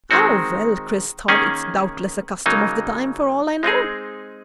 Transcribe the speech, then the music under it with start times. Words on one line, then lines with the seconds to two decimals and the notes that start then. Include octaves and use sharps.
Oh well, Chris thought, it's doubtless a custom of the time for all I know.
0.11 D#3 G#3 C4 F#4
1.28 D#3 A#3 C#4 G#4
2.46 C#3 F#3 A#3 D#4
3.63 G#3 C4 D#4 G#4